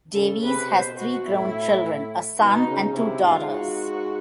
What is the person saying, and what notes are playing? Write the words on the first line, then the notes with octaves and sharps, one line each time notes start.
Davies has three grown children, a son and two daughters.
C#3 A4
C3 B4
B2 C5
F#4
A2 E4
B2 D#4
C#3
C3 E4
G#2 F4
F#4